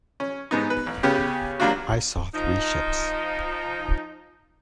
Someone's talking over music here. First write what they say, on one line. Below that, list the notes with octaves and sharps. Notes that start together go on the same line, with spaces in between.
I saw three ships.
C#4
G#2 B3 D#4
B4
A1
C#3 B3 C#4 G4
F#3 G3 A#3 D4 F4 F#4
F3 D#4